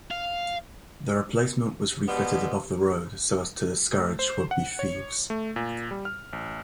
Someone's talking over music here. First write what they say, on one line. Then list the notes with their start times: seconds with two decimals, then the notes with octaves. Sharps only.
The replacement was refitted above the road so as to discourage would-be thieves.
0.11 F5
2.08 B2 F3 G3 G#3 B3
3.93 A3
4.19 C5
4.51 F#5
4.79 C#5
5.30 A3
5.56 A#2
5.91 G3
6.05 F6
6.33 A1